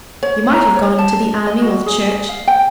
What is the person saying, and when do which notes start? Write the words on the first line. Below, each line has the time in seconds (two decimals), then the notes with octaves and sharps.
You might have gone into the army or the Church.
0.23 C#5
0.53 A#5
0.76 C#5
0.98 A5
1.47 D#5
1.62 F#4
1.86 G#4
2.29 F5
2.48 G5